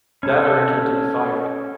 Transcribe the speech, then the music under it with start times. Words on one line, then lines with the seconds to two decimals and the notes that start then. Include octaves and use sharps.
That earned him to be fired.
0.23 C#4 A4